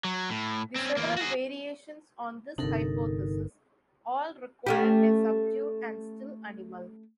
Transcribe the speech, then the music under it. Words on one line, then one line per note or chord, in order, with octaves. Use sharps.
The several variations on this hypothesis all require a subdued and still animal.
F#3
A2
C4 C#4
E2 A#3
F#4 G#4
G1 C3 D4 D#4 A4 A#4
A3 C#4 G4